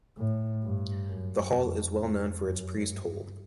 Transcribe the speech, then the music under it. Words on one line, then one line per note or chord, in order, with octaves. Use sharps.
The hall is well known for its priest hole.
A2
G2
F#2
F2
F2
F#2
G2